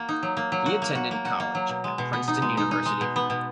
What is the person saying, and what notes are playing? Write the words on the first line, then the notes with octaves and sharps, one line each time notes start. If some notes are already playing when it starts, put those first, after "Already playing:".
He attended college at Princeton University.
Already playing: A#3 F#4
D#4
F#3
A#3
F#3
F#4
A#3
F#4
A#3
F#4
A#3
F#3
B2
G#3
B2
B3
D#4
G#3
D#4
D#4
G#3
B2
B3
B2